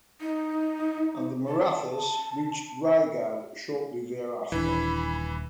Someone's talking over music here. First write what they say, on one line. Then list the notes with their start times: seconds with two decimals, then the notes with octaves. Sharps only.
And the Marathas reached Raigad shortly thereafter.
0.21 D#4
1.48 A5
4.52 D#1 E3 D4 B5